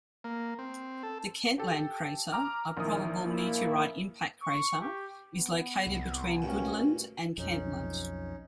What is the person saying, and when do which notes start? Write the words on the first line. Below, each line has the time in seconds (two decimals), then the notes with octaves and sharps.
The Kentland crater, a probable meteorite impact crater, is located between Goodland and Kentland.
0.24 A#3
0.59 C4
1.03 A4
1.58 G4 A4
2.32 A#5 D6 F6
2.77 A#1 D#3 E4 A#4 D#6
3.27 A#3 E4
4.43 C#6
4.82 G4
5.35 B3
5.87 C2
6.42 D2 G2 A#2 C#4
7.38 B1 F2 C#4 D#4